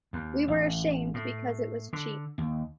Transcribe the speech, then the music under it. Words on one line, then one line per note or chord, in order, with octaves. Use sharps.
We were ashamed because it was cheap.
D#2
A1
A2
D3
D#2